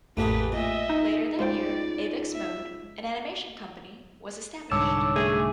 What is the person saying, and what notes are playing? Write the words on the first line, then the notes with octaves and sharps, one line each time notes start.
Later that year "Avex Mode", an animation company, was established.
A1 F2 A2 A3 A#3 G4 G#4 B4
A#2 D#5 E5
D#4
C#2 F4 C5 D5 G5
E5
C2 G#2 D3 C#5 A5 D6 E6
A3 G#4